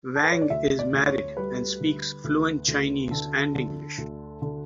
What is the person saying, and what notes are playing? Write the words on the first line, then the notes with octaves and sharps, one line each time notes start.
Wang is married and speaks fluent Chinese and English.
A4
B4
C#5
D5
D2 E5
D5
D2
C#5
G3 B4
D3
D2
D2
D3 A4
D3
D2
D3